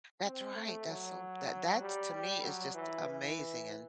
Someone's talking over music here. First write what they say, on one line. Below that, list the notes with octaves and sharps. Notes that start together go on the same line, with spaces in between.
That's right. That's so that that t to me is just amazing and
C4
A3
F#3
G3
G3
F#3
E3
E3